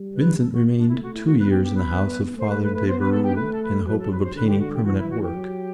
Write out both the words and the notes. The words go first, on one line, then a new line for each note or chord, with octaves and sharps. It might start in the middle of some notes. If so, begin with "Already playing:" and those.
VINCENT remained two years in the house of Father de Berulle, in the hope of obtaining permanent work.
Already playing: G3
B4
A4
F#4
D4
A3 E4
F#4
E4
F#4
B3 B4
G4
G4
B4
B3
A3 C5
B4
B4
B4
B3 C5
B4
A4
G4
A3 B4
A4
B4
F#3 B4
A4
B4
C5
D3 B4
G4
F#4
G4
E3 F#4
E4
F#4
G4
F#3